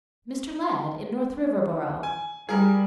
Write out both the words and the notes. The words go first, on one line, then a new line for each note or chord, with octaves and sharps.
"Mr. Ladd, in North Riverboro."
G#5
G3 G#4 A#4